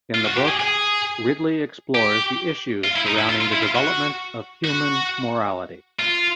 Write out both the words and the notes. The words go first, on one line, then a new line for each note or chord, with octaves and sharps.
In the book, Ridley explores the issues surrounding the development of human morality.
F4
F#4
G4
G#4
G#4
G4
F4
E4
D#4
E4
F4
F4
E4
F4
F#4
F#4
F4